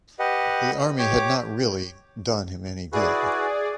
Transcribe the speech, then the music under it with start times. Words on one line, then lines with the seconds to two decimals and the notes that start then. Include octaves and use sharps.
The army had not really done him any good.
0.19 G4 B4 D#5 F#5
0.99 G4 C#5 D6
2.93 E4 F#4 G#4 B4 D5